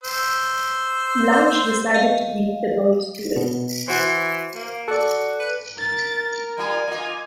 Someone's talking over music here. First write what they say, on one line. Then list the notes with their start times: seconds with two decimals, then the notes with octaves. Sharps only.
Blanche decided to beat the boys to it.
0.03 C5 E6
1.94 D#5 F5
3.36 B2
3.88 E3 F#4 C5
4.55 A#3
4.88 F#4 A4 D5
5.40 B4
5.78 A#4 A6
6.58 G3 F4 G#5
6.88 A#3 F4 D#5